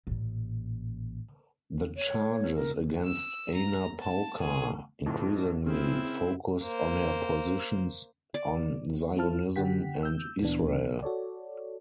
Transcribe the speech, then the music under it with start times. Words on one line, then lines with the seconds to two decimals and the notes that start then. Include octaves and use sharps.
The charges against Ana Pauker increasingly focused on her positions on Zionism and Israel.
0.07 A1 A#2
1.96 C#5
2.55 A#4
3.04 E6
3.54 A#5
4.00 A5
4.40 G#4
5.06 F2 A2 F3
5.66 C#3 C4 E4
6.61 A#3 C5
8.34 D5
9.16 C4 E4 F4 A4 A5 F6
9.56 D3 G4 F#5 G5 B6
10.03 E6 G6
10.41 D2 A#2 E3 B3 D4
11.03 F#4 A4 C#5 D5